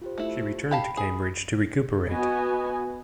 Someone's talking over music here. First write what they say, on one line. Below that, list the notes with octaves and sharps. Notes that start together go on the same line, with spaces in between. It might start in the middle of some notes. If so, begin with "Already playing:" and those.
She returned to Cambridge to recuperate.
F4 G4 C5
A3 E4
G4 F5 A5 B5
G#4
B3 F#4 B4 D#5 G#5